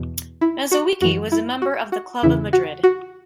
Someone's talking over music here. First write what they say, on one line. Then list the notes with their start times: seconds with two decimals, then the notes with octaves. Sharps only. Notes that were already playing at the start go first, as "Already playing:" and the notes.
Mazowiecki was a member of the Club of Madrid.
Already playing: E2 B2
0.41 E4
0.72 F#4
1.01 F#2 E3 F#4
1.32 E4
1.62 F#4
1.92 F#4
2.23 E2 C#3 E3 E4
2.53 F#4
2.83 F#4